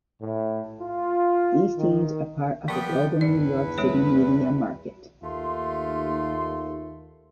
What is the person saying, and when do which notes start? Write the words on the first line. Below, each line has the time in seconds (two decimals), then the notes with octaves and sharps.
These teams are part of the global New York City media market.
0.22 A2
0.80 F4
1.77 D#3
2.68 F3 G3 A#3 B3 G5 A5 C6 D#6
3.21 G1 E2 D#3 B4 D5 C#7
3.78 G3 A3 C#5
5.23 D#2 A3 F4 C6